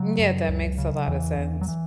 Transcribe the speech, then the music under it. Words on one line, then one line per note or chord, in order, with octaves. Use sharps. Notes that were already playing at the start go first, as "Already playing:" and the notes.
M yeah, that makes a lotta sense.
Already playing: C#3 F#3
F#2
C#2
C#3
E2 E3
E2
F#3
E3